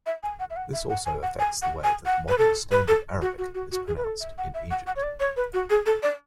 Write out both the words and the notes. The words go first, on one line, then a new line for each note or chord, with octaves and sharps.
This also affects the way that Modern Standard Arabic is pronounced in Egypt.
E5
G#5
F#5
E5
F#5
E5
F#5
G#5
F#5
G#5
F#5
G#5
F#5
B4
A4
B4
A4
F#4
F#4
F#4
F#4
G#4
B4
A4
E5
F#5
E5
F#5
F#5
C#5
D5
C#5
B4
F#4
G#4
A4
D5